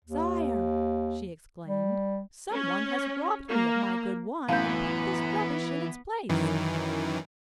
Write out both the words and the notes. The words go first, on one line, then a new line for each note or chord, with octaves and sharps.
"Sire," she exclaimed, "some one has robbed me of my good wine, and put this rubbish in its place."
D#2
G3
C#4
A#3
F#2 A2 E3 B3 F5 G6
F#2 D#3 E3